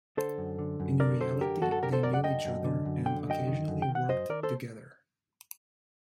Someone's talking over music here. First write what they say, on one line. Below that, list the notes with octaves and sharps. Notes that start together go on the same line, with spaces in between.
In reality they knew each other and occasionally worked together.
D3 A4 C5
F#2
D3
F#2
D3 A#4 D5
F#2 A4 C5
D3 G4 A#4
F#2 F#4 A4
A4
D3 G4 A#4
A4 C5
F#2 A#4 D5
D5 F#5
D3 D#5 G5
F#2
D3
F#2
D3 G5
F#2 D#5 G5
D#3
F#2
G5
D#3
F#5
F#2 C5 D#5
D#3 A#4 D5
A4 C5